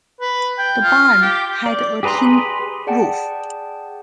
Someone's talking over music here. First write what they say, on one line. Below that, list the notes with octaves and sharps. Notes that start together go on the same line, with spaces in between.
The barn had a tin roof.
B4
G5
F4
G4
D5
G4 G#4 B4 A#5 C6
G#4 D5 F#5 G5 A5